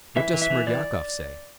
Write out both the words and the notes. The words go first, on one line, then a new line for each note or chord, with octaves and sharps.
What does Smerdyakov say?
E3 E5
E3
E5
E3
E3 D5